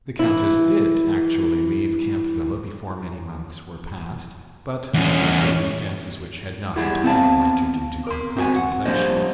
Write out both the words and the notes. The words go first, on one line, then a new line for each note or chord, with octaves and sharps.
The Countess did actually leave Camp Villa before many months were past, but under circumstances which had not at all entered into her contemplation.
E3 E4
E2 C#4
G3 E4 G#4 F#5 B5
B3 C4 F5 F#5 A5
A#4 C6
C4 F#4 G#5
F#5
F3 G3 A#3 D4 C5 D#5